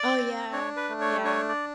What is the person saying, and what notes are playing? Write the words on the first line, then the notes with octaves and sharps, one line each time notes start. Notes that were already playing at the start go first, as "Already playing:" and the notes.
Oh, yeah. Yeah.
Already playing: D5
C4
D4 C#5
B4
A3
C#5
D4 C#5
D5